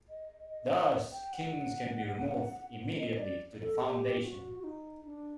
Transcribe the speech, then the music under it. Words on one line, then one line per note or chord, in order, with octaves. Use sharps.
Thus, kings can be removed immediately to the Foundation.
D#5
D#5
F#5
G5
F#5
D#5
D5
A4
G4
F#4
F#4
D#4
D4